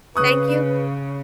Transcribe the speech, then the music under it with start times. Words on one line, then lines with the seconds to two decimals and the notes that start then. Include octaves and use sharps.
thank you
0.16 C#3 B4 C#6 D#6 F#6